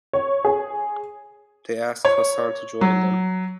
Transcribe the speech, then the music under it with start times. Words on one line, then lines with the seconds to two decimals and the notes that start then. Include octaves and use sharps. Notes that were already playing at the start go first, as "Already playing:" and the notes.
They asked Hassan to join them.
0.13 C#5
0.45 G#4
2.05 C#5
2.81 F#3